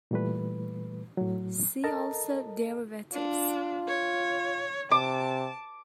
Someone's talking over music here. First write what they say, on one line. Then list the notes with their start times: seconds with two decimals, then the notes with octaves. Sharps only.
See also Derivatives.
0.11 A#2 E3 G3 A3 B4
1.17 A2 F#3
1.84 A4 A#4 D#5 A5 A#5
3.13 D4 F4
3.88 C#5
4.91 C3 A5 D6